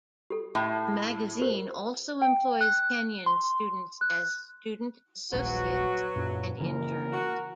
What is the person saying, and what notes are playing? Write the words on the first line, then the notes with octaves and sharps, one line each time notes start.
The magazine also employs Kenyon students as student associates and interns.
G4 A4
A2
G4 A#4 C5
G5
F#6
C6
F#6
D#1 A#1 F#3 F#4 B4
F#2 A#2
C#3 E3 A#3 A#4
F#4